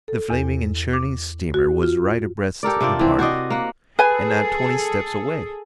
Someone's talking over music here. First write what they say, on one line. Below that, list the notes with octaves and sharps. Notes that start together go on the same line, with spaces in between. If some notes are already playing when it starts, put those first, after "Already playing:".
The flaming and churning steamer was right abreast the party, and not twenty steps away.
A4
E2
D6
F#4
F4
G4 A4 A#4 D5
C3 D4 F4 D5
E3 C4
F#4 C5 D5 D#5
A#3 F#5
G#4 A4 B4 G#5